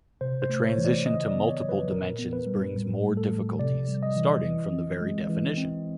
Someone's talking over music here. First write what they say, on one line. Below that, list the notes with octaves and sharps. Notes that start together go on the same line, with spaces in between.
The transition to multiple dimensions brings more difficulties, starting from the very definition.
C3 C5
C5
A3
C#5
E3
D5
C#3 D#5
D5
B3
C#5
F#3
B4
A#2 A#4
B3
B4
G3
A2
A3
A4
F3
C3 D5
G3
D#5
E3
E3
C4
G#3
E3
C4